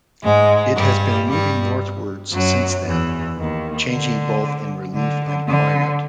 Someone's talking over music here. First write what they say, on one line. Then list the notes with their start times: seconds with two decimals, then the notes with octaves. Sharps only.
It has been moving northwards since then, changing both in relief and climate.
0.23 G#2 G#3
0.76 G2 G3
1.28 G2 G3
2.33 F#2 F#3
2.85 E2 E3
3.38 D#2 D#3
3.90 D3
4.95 D3
5.48 D3